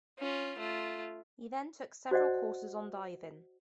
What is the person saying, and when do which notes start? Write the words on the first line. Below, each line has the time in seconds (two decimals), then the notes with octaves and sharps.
He then took several courses on diving.
0.19 C#4 F4
0.59 A3 F4
2.11 F#4 C5 D5 D#5 F#5